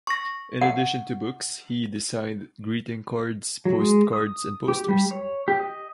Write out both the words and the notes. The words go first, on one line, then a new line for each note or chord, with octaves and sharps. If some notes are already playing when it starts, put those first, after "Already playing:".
In addition to books, he designed greeting cards, post cards, and posters.
C#6 A#6
F#5
F#3
G#3
D#6
G4
G3
C#5
G4
D#5